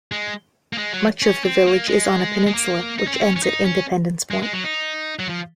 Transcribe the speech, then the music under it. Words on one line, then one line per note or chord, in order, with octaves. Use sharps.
Much of the village is on a peninsula, which ends at Independence Point.
G#3
A#3
G#3
F#3
C#4
C4
A#3
G#3
G#3
A#3
D#4
C#4
C4
C#4
C#4
D#4
C#4
G#3
G#3
F#3
D#4
F#3
F3